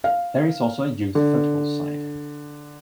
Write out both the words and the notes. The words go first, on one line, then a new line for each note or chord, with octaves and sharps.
There is also a youth football side.
F5
D3